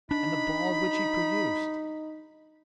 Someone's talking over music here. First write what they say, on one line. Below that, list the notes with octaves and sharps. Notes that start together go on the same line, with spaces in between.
And the balls which he produced!
D4 D#4 B5